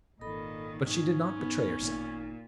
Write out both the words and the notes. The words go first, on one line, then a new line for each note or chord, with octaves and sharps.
But she did not betray herself.
G#1 A#2 D#3 A4 D#5 B5
G#2 C#4 D#4
B3
G#1 A#2